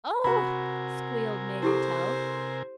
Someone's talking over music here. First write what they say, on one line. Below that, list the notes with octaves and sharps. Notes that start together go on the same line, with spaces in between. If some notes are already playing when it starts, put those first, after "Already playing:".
"Oh!" squealed Mae Mertelle.
C3 F#4 A#4 G#5 B5
E4 G4 A4 C5